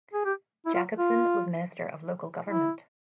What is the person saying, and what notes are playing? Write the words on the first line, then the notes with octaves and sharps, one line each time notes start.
Jakobsen was Minister of Local Government.
G#4
G4
E4
F4
F4
E4